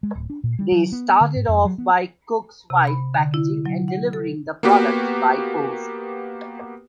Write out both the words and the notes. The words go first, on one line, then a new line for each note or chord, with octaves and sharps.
They started off by Cooke's wife packaging and delivering the product by post.
G#3
D1
D4
A#2
G3
F#3
B3
D3
G#2
F2
F#3
B3
C3
B5
D3
E4
F#3
F#5
A4
A#3 B3 F#4 G4 B4